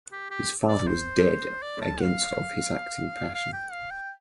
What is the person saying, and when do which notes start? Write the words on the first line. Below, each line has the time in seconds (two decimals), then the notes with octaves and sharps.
His father was dead against of his acting passion.
0.12 G4
0.31 G4
0.69 D5
0.88 C5
1.63 D5
1.82 A5
2.02 F5
3.35 F5
3.53 G5
3.72 F5
3.91 G5